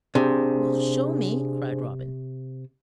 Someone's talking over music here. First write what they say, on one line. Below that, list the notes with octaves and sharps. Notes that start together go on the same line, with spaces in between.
"Well, show me," cried Robin.
C3 D4 G#4 C5